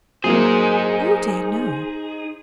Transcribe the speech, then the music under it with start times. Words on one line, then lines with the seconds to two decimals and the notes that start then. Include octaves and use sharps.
'Oh dear, no!
0.24 F#3 A#3 D#4 G#4 C5